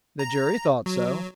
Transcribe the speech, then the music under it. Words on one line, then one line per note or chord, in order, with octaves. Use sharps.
"The jury thought so."
A#5
F#3